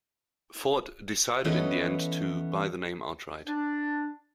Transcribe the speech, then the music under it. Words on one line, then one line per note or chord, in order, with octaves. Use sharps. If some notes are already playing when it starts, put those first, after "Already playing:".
Ford decided in the end to buy the name outright.
E3 B3 C#4 A4 D#5
D4